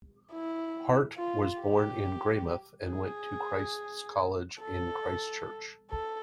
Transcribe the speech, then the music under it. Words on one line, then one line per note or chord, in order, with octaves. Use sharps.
Hart was born in Greymouth and went to Christ's College in Christchurch.
E4
F4
G4
G#4
A4
A4